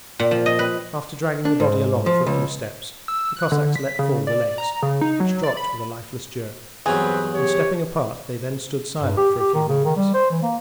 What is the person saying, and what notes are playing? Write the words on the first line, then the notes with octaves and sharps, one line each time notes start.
After dragging the body along for a few steps the Cossacks let fall the legs, which dropped with a lifeless jerk, and stepping apart they then stood silent for a few moments.
A#2
F3
D#5
B4
D4
G#2
F3
C#2
E6
F#6
D3
B6
C#3
D5
A#5
C#3
D#4
F#3
D5
B5
E2 G2 F#3 C4 G#4 B4
G4 C#5
G2
G4
G4
D#3
C#3
D#3
G3
C5
E3
A#3